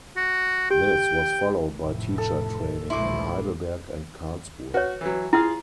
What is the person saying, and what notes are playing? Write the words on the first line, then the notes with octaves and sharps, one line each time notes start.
This was followed by teacher training in Heidelberg and Karlsruhe.
F#4
G4 G5
F1 A2
A4
A#1 B2 G#3 E4 C6 D6
F#4 B4 C#5
E3 F#3
E4 F4 G#4 F5